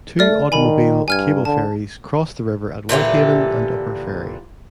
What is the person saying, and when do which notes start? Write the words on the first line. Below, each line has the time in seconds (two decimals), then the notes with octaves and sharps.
Two automobile cable ferries cross the river at Whitehaven and Upper Ferry.
0.19 A3 D5 F6
0.52 D#3 G#5 B5
1.08 G2 G#5 F6 G#6
1.45 D3 A5
2.89 A#2 D3 E3 G4